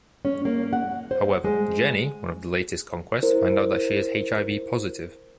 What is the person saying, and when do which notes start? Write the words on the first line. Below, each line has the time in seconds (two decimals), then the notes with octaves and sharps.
However, Jennie, one of his latest conquests, finds out that she is HIV positive.
0.25 C#4
0.45 A#3
0.73 F#5
1.11 C5
1.44 G#3
3.23 E4 A#4 C5